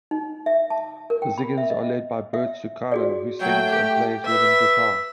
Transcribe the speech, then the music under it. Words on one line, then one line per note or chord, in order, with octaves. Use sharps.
The Ziggens are led by Bert Susanka who sings and plays rhythm guitar.
D#4
E5
A5
A#4
G5
B5
E5
D#5
E5
F#4 G#4 D5
F#3 A3 G5
G4
B4 E5